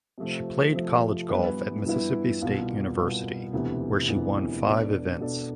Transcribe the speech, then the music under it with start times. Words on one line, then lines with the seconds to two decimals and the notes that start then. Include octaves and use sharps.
She played college golf at Mississippi State University where she won five events.
0.18 C3 F3 A3 C4
0.73 C3 F3 A3 C4
1.30 G2 E3 B3 E4 B4
1.86 G2 E3 B3 E4 B4
2.41 C2 B2 B3 F4
2.97 C2 B2 B3 F4
3.53 E1 D2 C3 E3 B3
4.08 E1 D2 C3 E3 B3
4.65 B2 B3 D4 A4 D5
5.20 B2 B3 D4 A4 D5